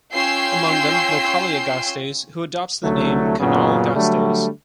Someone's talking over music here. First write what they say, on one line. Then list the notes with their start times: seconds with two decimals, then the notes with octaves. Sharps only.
Among them, Localia Gasteiz, who adopts the name Canal Gasteiz.
0.12 C#4 F4 G5 E6 G6 C7
2.84 C2 D3 F#3 A3
3.40 F#2 A#2 C#3 F#3 B3
3.95 D3 F#3 G3 A3